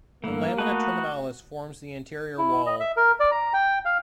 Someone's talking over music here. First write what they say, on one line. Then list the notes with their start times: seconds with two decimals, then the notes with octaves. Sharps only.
The lamina terminalis forms the anterior wall.
0.24 G2 E3 A3 A#3
0.58 A3 D#4 F#4 B4 A5
2.38 E4
2.66 D#5
2.80 E5
2.97 A#4
3.20 D5
3.31 A#5
3.53 G5
3.85 F5